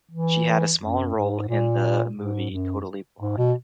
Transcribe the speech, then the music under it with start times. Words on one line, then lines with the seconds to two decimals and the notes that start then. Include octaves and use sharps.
She had a small role in the movie "Totally Blonde".
0.11 E3
0.80 F#2
1.14 G#2
1.48 A#2
2.17 G#2
2.51 F#2
3.20 G#2
3.38 B2